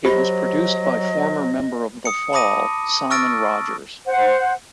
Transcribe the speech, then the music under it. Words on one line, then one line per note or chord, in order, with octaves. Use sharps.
It was produced by former member of The Fall, Simon Rogers.
F#3 G4 C5 D#5 B5
D#6 C#7
A5 B5 D6 D#6 A#6 D#7
C#6 E6 F6 A6 A#6 D7
C5 F#5